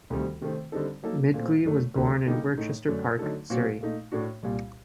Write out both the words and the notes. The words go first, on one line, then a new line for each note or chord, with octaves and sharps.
Midgley was born in Worcester Park, Surrey.
D2 C3 D#3 G3 C4
C3 D#3 A3 C4
D3 G3 C4 D#4 A4
F#3 A#3 D#4 A4
A#2 A3 C4
F#2 D3 A3
D2 D3 F#3
D3 G3 A#3 D#4 G4
A2 A3 D#4
F#2 D3 A3 D4
D3 F#3 A3 D#4 A4
A#2 F#3 C4 F#4
A#2 A3 D#4
A2 A3 D4 F#4
C2 A#2 G3